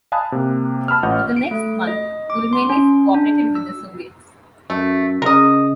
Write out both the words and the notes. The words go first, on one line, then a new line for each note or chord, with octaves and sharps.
For the next month Ulmanis cooperated with the Soviets.
F5 G#5 A5 B5 D#6 F#6
C3 A#3
A5 B5 E6 F6
A1 F4 D#5 F#5 C#6 G6
D7
A3
D#5
D6
C6
C#4
D4
E6
F#2 A3
C#3 A#4 D#5